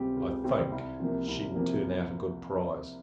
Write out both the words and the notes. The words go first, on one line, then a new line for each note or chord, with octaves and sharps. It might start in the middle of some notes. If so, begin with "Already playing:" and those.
I think, she will turn out a good prize.
Already playing: C#2 C3 G3 C4 G4
C#2
C3 G3 C4 G4
C2
C3 F3 A#3
C2
C3 F3 A#3